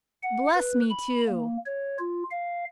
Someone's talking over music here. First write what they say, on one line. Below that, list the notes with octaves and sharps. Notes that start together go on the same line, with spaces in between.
"Bless me too!"
F#5
B4
B5
A#3
C#5
F4
F5